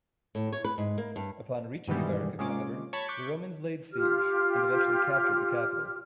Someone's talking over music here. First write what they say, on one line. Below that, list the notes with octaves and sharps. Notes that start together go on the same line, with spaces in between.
Upon reaching Avaricum however, the Romans laid siege and eventually captured the capital.
A2
C#5
B4
G#2
A#3
G2
G2 B2 D#3 E3 G3 G#3
C3 G#3 A#3 C#4 F4 D6
C#5 A5 B5
C#6 D6 F#6 G6 B6 C#7
F4 G4 F6